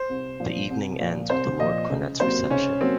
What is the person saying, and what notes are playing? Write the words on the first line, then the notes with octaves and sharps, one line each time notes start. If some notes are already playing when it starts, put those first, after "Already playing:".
The evening ends with the Lord Cornet's Reception.
Already playing: C5
C2
A#2 F3
C2
A#2 F3
C2 C5
A#2 F3 D#5
C#2
C3 F#3 A#3 C5
C#2 C#4
C3 F#3 A#3 C4